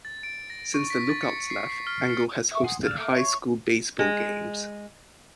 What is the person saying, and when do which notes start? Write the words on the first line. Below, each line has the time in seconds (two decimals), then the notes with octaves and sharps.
Since the Lookouts left, Engel has hosted high school baseball games.
0.05 A6
0.23 D7
0.50 A#6
0.74 C#6
0.90 B6
1.09 A6
1.23 C#7
1.50 C7
1.69 C7
1.87 F6
2.09 C#7
2.51 E5 C#6
2.64 F#5 G#5 C6 D#6
2.83 D5 F5 E6
2.98 A3 A#3
3.15 C#5 C6
3.99 G#3